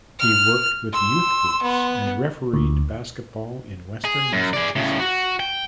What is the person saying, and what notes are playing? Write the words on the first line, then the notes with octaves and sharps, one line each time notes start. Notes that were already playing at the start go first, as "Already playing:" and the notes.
He worked with youth groups and refereed basketball in western Massachusetts.
F6
C6 E6
B3
D2
G#4
F#2
G#4 D5
A2 C#3
F#4
G5